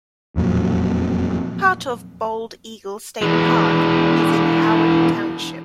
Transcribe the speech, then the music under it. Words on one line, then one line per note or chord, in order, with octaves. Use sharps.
Part of Bald Eagle State Park is in Howard Township.
E1 F2 A#2 F#3
E3 G#3